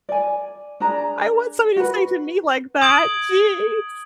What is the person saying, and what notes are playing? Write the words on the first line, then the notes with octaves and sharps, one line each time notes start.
"I want somebody to sing to me like that, geez."
D5 G#5
D4 G#4 D5 A#5
F#4 B4
D#6 G#6 D7 F#7